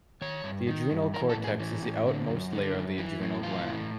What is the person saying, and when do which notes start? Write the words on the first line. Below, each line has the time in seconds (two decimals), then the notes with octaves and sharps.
The adrenal cortex is the outermost layer of the adrenal gland.
0.22 D#3 C#5
0.44 G2
0.67 D#3
0.91 G2
1.14 E3 A#4
1.29 A4
1.36 A2
1.44 G#4
1.59 E3
1.82 A2
2.06 D3
2.28 F#2
2.52 D3
2.74 F#2
2.98 E3
3.21 A2
3.43 E3 F4
3.67 A2